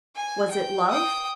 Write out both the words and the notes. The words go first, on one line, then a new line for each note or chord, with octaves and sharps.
Was it love?
G#5
G5
G5 D#6